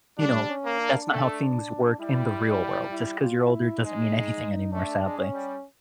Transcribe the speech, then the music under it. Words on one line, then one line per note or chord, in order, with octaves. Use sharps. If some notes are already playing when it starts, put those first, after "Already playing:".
you know, that's not how things work in the real world. Just 'cause you're older doesn't mean anything anymore, sadly.
G3 D4
C#4
A#3
D4
A3
G3 E4
E4
E4
F4
E4
G#3 D#4
A3 D4
G#3
C#4
G3